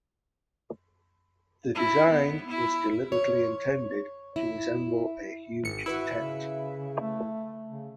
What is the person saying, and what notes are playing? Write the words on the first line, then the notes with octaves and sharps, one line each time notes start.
The design was deliberately intended to resemble a huge tent.
E4
B3
E4
C#5
E4
G#1 C#7
E4 F#4 B4 E5
C#3
A3
C#3